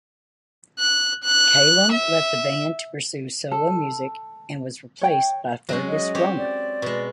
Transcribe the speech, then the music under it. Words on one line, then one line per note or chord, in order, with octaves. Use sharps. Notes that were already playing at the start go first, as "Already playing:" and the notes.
Calum left the band to pursue solo music and was replaced by Fergus Romer.
F#6
F#6
E5
A4
C#5 G5
F#3 G#3 C#4
D#5
C4 G4 C#5
D5
B2 G#3